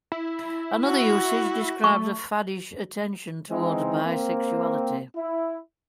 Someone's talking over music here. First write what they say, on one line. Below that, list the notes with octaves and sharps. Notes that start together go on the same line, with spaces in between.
Another usage describes a faddish attention towards bisexuality.
E4
F#4
A3 C#6
E3 G#3 C4 D#4 E4
A#3 C4
E4